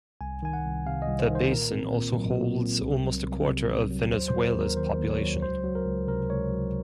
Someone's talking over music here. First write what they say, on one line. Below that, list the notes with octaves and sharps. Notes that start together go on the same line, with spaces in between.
The basin also holds almost a quarter of Venezuela's population.
C2 G#5
D#3 G#5
F#5
C2
C3 F5
D#5
C2
C5
D#3
C5
A#2 A#4
C4
A#2
F#3
A#2
C4
C2
F#3
C2
C3
C2
F#3
D#2 C5
C5
F#3
A#4
D#2
A#4
D#3 C5
D#2
C#5
F#3
C#2 C5
F#3
A#4
C#2
C3 A#4
C#2 C#5
F#3